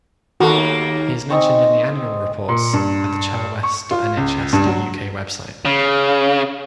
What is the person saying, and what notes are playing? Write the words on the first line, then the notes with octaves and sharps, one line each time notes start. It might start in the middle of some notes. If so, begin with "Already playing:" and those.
He is mentioned in the annual reports at the chelwest.nhs dot uk website.
D#2 A#3 F#4 A4
C4 D#4 G#5 C#6
A#2
G2
C#6
F4
C#2
G2
F#3
C#3